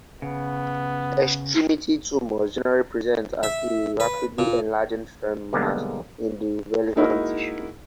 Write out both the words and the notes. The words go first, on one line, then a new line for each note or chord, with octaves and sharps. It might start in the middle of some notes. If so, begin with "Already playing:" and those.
Extremity tumors generally present as a rapidly enlarging, firm mass in the relevant tissue.
C#3 B3
E5
B4
A#2
B1 D3 G3 G#3 A#3 B3
G#3 A#3 D#4 E4 F#4 A#4